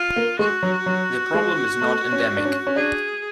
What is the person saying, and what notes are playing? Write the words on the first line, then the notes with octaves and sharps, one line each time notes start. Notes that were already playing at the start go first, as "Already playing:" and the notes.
The problem is not endemic.
Already playing: F4
A#3
G#3 F#4
F#3
F#3
G#3
A3
C#4
D4
C#4
C#4
D4 G#4